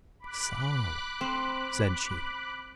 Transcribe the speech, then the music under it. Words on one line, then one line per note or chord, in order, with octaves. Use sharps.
"So!" said she.
B5 D6 F#6
C4